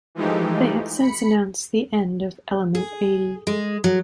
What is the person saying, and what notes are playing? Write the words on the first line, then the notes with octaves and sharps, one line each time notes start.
They have since announced the end of Element Eighty.
E3 F3 G#3 A3 D#4 G4
B5 C#7
G#4
G#3
F#3